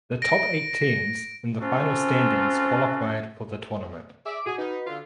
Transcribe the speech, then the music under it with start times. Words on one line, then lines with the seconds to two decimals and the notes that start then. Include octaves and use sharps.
The top eight teams in the final standings qualified for the tournament.
0.22 A#6 D7
1.61 C4 C#4 F4 F#4 A4
4.26 G#4 D5 E5 D6
4.46 F#4 G#4
4.58 D#4 B4
4.87 D3 F4